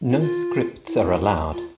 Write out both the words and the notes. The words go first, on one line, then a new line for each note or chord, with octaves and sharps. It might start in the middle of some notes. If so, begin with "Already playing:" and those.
No scripts are allowed.
E4
F4
E4
F4